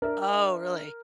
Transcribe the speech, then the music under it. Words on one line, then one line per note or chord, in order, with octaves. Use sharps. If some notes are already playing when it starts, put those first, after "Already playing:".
Oh, really?
D4 A#4 D5 E5